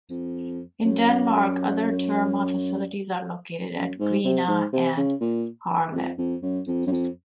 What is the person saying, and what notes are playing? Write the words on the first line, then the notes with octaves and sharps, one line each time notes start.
In Denmark, other Terma facilities are located at Grenaa and Herlev.
F2
F#2
F#2
G#2
C3
G#2
C3
C#3
A#2
F2
F2
F#2
F2
F#2
F2